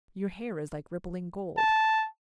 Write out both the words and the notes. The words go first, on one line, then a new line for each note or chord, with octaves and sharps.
Your hair is like rippling gold.
A5